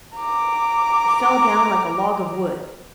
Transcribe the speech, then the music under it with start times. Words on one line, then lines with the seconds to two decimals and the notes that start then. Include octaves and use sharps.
He fell down like a log of wood.
0.16 A#5 D6